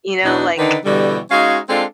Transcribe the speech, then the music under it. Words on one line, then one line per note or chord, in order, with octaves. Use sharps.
you know, like
E2 B2 E3 B3 D4 D#4
D3 D#3 D4 D#4 B4 D5
B2 D3 E3 G3
G#3 C#4 D#4 F#4 F5
G#3 C4 D4 F4 A4